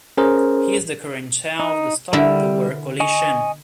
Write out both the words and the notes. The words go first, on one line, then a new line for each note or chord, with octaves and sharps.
He is the current chair of the Stop the War Coalition.
C#4 G#4 A#4 C5
D#4
D3 G3 E4 A#4 E6
D#5 G#5 C#6